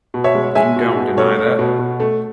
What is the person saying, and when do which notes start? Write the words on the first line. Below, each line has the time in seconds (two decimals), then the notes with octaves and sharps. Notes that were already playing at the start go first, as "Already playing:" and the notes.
You don't deny that.
0.14 B2
0.24 C#5 E5
0.35 G#3
0.55 G#3 E5 G#5
0.76 B2
0.97 B2
1.17 A3 C#5
1.39 A3
1.59 B2
1.79 B2
2.00 A3